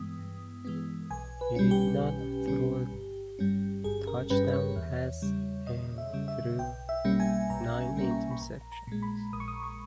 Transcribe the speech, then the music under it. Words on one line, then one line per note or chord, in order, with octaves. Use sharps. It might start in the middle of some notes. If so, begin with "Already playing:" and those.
He did not throw a touchdown pass and threw nine interceptions.
Already playing: G2 E3 G#3 B3 D#6
G2
E3 G#3 B3
B1 G#5
B4
B2 G3 C#4
G4
B1
B2 G3 C#4
G1
G2 G3 C#4
G1 G#4
A#4
G2 G3 C#4 B4
B4
C#5
E2
C#3 G3
E2 D#5
E5
C#3 G3
E5
B1 G5
E5
B2 G3 A#3 C#4
G#5
B1 A#5
B2 G3 A#3 C#4
C#6
B5
A#1 A#5
A#5
A#2 G#3
B5
A#1 D#6
C#6
D#6
C#6